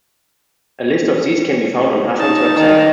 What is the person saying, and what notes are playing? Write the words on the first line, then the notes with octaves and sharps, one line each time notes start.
A list of these can be found on Hassan's website.
D#4 A5
D#3